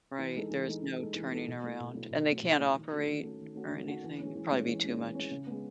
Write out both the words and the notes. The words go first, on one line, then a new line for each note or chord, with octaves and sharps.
Right, there's no turning around, and they can't operate, or anything? It'd probably be too much.
E3
G#3 D#4 A4
E3
G#3 D#4 A4
E3
G#3 D#4 A4
E3
G#3 D#4 A4
B2
F#3 A3 E4
B2
F#3 A3 E4
B2
F#3 A3 E4
B2
F#3 A3 E4
D#3
A3 C#4 F#4
D#3
A3 C#4 F#4
D#3
A3 C#4 F#4
D#3
A3 C#4 F#4
E3
G#3 C#4
E3
G#3 C#4
E3
G#3 C#4
E3
G#3 C#4
C#3
G#3 B3